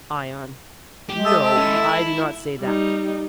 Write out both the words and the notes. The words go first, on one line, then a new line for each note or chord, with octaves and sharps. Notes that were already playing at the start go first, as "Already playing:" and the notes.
ION: No; I do not say that.
G#3 G4
A4 E5 D#6
A4 E5 A5
C#4 E4
E4
G3 D#4